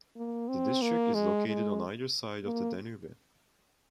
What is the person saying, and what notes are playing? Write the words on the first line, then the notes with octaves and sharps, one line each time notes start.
The district is located on either side of the Danube.
A#3
C4
A#3
G#3
G#3
A#3